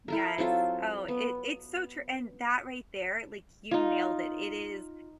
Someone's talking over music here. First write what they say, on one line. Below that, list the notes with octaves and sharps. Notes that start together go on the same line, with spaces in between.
Yes, oh, it it's so true, and that right there, like, you nailed it, it is
E4 A4 A#4
F#3 C4 F4 A4
B3
D#4 F4